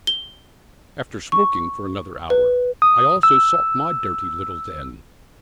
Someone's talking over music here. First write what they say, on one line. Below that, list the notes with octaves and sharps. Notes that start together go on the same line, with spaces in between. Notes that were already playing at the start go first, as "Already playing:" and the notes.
After smoking for another hour, I also sought my dirty little den.
G7
C#6
B4
D#6
E6